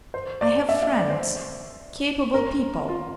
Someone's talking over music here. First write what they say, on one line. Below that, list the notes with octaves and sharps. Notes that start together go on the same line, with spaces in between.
I have friends... capable people....
C5
D5
E5
E5
D5
C5
A#4
F4